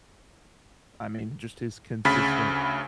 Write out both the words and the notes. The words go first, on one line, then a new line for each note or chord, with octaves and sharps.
I mean, just his consistent
D2 C#3 B5 A6 B6